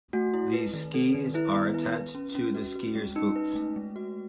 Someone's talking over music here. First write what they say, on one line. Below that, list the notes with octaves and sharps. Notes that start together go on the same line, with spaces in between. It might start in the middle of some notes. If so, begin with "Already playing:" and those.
These skis are attached to the skiers' boots.
A3 F#4
E4
B4
D#3
A4
D#3
E4 B4
B3
B4
B4
C#4
C#4
F#4
F#4
G#3
C#4 D#4
B4
A3
G#3
F#4